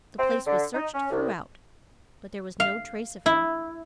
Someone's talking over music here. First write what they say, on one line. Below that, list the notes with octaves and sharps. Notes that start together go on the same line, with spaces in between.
The place was searched throughout, but there was no trace of her.
C4
D3
D#4
C#4
C2
F5
E4